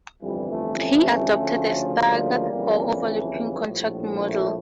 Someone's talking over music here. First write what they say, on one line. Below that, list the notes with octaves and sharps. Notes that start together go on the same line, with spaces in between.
He adopted a "staggered" or "overlapping" contract model.
G1 F2 E3 G3
A3
A3 C#4
D2 C#3 F3
G3 A#3
G1 F2 C#3 E3
A3
G3
A#1 A2 F3
A3